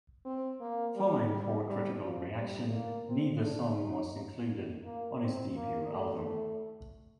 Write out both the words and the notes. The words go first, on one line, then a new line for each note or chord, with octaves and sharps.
Following poor critical reaction, neither song was included on his debut album.
C4
A#3
G3
G3
G3
F3
G3
A#3
C4
D4
D#4
A#3
C4
A#3
A3